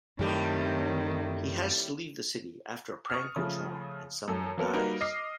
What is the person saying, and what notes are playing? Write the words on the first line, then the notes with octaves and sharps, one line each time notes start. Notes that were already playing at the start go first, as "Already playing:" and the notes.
He has to leave the city after a prank goes wrong and someone dies.
F#2 A2 D#3 G3 A3 C4 G4
C#6 D#6 F6
C#3 F3 A3
F#2 A4
F#3 A#3 B3 A4 A#4
G3 A#3 D#4 F#4 A#4 B4
D#5 D6 F6 C7